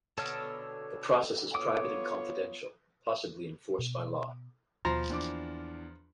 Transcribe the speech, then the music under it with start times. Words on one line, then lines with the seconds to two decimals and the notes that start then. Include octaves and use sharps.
The process is private and confidential, possibly enforced by law.
0.18 B2 D3 A4 C#5 A5 F6
1.55 B3 F4 C#5 D6 D#6
3.79 B2
4.85 D#2 B2 F3 A#5 C6
5.10 E2 A#3 D4 D6